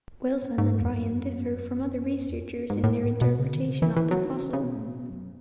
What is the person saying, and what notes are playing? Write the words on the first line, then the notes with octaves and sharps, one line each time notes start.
Wilson and Ryan differ from other researchers in their interpretation of the fossil.
G#2
E2
F#2
E2
F#2
G#2
A2
B2
C#3
D#3
C#3
E3
E3
F#3
D#3
C#3
C#3
B2
A2
B2
F#2